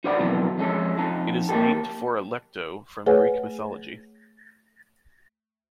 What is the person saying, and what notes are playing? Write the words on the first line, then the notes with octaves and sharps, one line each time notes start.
It is named for Alecto from Greek Mythology.
D#4 F#4 C5 D5 F#5 B5
B2 D#3 E3 F#3 C4 A4
F2 G#3 C#4 A4
F2 F3 D#4 A5
A#3 D#4 G4 A4
A3 G#4 B4 C#5 F#5 G#5